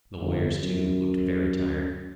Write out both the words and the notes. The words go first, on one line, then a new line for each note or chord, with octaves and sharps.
The lawyers, too, looked very tired.
G1
F#2